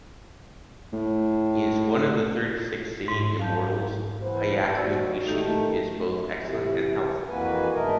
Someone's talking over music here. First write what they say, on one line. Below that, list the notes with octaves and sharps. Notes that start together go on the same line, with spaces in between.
Is one of the thirty-six singing immortals. Hyakunin Isshu is both excellent and helpful.
A2
G#2
F5 A5 G6
E3 B3 C5
D#2 F#4 D5 E6 A6
D#3 A3 D#4 G4
C3 E3
F2 E3 A#3 F#4 B4 G#5
E2 G#2 B2 A3 A#4 D#5